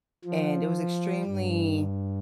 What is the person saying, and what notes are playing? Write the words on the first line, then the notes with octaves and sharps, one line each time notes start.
and it was extremely
F3
G2